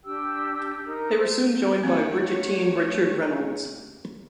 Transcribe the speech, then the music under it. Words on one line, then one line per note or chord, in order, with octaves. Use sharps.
They were soon joined by Bridgettine Richard Reynolds.
D4 G4 G5 E6
D#4 A#4
C5
A3 A#3 C4 F#4 G4 C#5